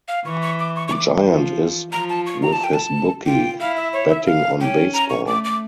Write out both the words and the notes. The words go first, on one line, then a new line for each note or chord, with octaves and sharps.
Giant is with his bookie, betting on baseball.
F5
E3 C#6
C#6
D6
C#6
C#6
D6
F3
F3 A#5
A5
C#6
A#5
A5
G5
A5
F4 G5
E4 F5
E5
C#5
E5
F5
C#4 G5
A#5
C#6
A3 D6
D6